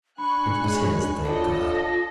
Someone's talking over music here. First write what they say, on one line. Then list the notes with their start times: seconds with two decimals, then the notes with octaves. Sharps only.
It was his, thank God!
0.18 D4 G#5 B5 C#6 F#6
0.64 G#3 C#4
1.25 D4 F4 A4 C#5 D#5 G5
1.75 A#6